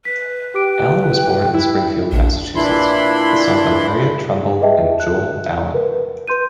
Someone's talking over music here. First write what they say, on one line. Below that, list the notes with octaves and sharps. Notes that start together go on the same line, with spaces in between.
Allen was born in Springfield, Massachusetts, the son of Harriet Trumbull and Joel Allen.
B4 B6
G4 G5 D6 D7
E4
A#1 D4
A#2 E3 D4 E4 B5 C6
G#4 B4 D#5 E5 G5 A5
F#6
A#4 B4
B4 C6 G6 D#7